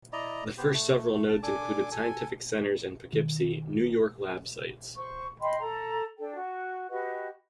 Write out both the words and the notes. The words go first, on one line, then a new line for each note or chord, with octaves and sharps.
The first several nodes included Scientific Centers and Poughkeepsie, New York lab sites.
E4 D5 D#5 A#5
B3 G4 C5
A3
A5
D4 A4 G#5 D6
A4 G#5
B2 D#3
C5 C#6
D#5 G5 B5 C6
A4 A#5
D4 A4 G5
F#4
F#4 G4 B4 D#5